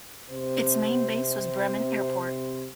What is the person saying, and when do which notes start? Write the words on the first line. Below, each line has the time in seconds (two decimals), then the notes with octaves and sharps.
Its main base was Bremen Airport.
0.30 C3 C5